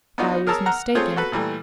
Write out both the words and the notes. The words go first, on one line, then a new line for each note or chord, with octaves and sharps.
I was mistaken.
B3 D4 D#4 F4 F#4
G#4 A#4 C#5 A5 A#5 E6
F#5 A#5 F6
A3 C4 F4 G#4 C5 C#5
F#4 A4 B4
A#2 E3 G3 A3